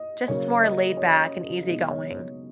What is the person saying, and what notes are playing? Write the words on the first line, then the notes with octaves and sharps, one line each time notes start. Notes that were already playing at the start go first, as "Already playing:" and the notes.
just more laid back and easy-going.
Already playing: D#5
C#3 F#3 A#3 C#5
D#5
C#5
B2 G#3 D#4 D#5
C#5